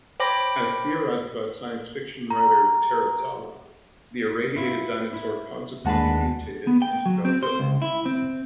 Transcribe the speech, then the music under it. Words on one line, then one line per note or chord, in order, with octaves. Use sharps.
As theorized by science fiction writer Terasawa, the irradiated dinosaur consequently mutated into Godzilla.
C5 C#5 G5 B5 D6 A#6
A#5
B3 E4 F4
E4
D#2 G#3 D4 B4 F#5 A5
B3
G5
F#3
C4
C5
C#2
E4
C4